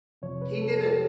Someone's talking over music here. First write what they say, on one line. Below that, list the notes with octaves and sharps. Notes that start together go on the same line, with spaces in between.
He did it.
F2 C3 F3 C#5
B4
A4
A4
G4